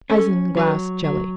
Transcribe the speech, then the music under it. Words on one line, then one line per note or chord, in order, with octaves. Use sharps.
Isinglass Jelly.
C#4 A4
F#3 B4
F#3 F#4